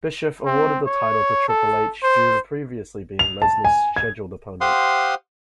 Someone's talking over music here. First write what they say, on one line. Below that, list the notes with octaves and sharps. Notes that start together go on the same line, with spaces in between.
Bischoff awarded the title to Triple H due to previously being Lesnar's scheduled opponent.
C4
C#5
A4
C5
F7
A5
G#5
G#6
G4 C5 F5 F#5 C6 D#6